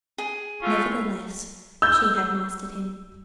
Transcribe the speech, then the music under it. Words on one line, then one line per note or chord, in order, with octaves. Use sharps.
Nevertheless she had mastered him.
G#4
A2 C#4 F4
E6 G6